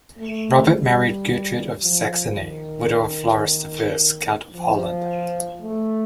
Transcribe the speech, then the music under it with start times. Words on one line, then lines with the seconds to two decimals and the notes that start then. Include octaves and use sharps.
Robert married Gertrude of Saxony, widow of Floris the First, Count of Holland.
0.18 A3
0.72 G3
1.81 F3
2.35 D#3
4.52 F3
5.62 A3